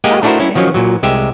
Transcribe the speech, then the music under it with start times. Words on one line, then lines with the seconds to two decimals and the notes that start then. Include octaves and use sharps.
Oh, okay.
0.04 G#3 A#3 G4 D#5 F#5 G#5
0.23 A3 D4 E4 F#4 A#4 C5
0.40 C#4 E4
0.55 D#3 F3 F#3 C#4
0.74 A#2 F#3
1.03 C2 G#3 G4 E5 G5